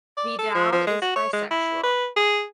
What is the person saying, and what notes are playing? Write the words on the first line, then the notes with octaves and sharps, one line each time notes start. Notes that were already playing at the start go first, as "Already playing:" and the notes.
Vidal is bisexual.
D5
A4
F3
F3
G#3
F#4
C#5
G#3
E4
B4
G#4